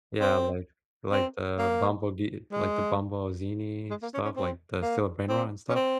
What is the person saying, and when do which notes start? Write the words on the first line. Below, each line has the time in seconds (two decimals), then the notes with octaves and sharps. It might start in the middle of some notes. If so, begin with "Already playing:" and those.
Yeah. Like like the Bumblebee uh, like the bumble zini stuff, like the Steal a Brainrot and stuff.
0.20 C4
1.12 C4
1.58 A#3
2.52 G#3
3.90 G#3
4.02 A#3
4.14 C#4
4.25 C#4
4.36 C4
4.82 A#3
5.29 C4
5.70 C#4
5.75 C4